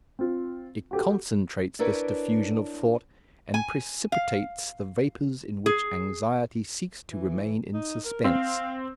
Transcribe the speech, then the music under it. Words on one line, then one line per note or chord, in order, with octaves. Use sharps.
It concentrates this diffusion of thought, and precipitates the vapours in which anxiety seeks to remain in suspense.
C4 F4
F#4 G4 A4
D4 E4 A#4 B4 C#5
G#5
F5
G#4
E3
D#4
A#4
C4 F5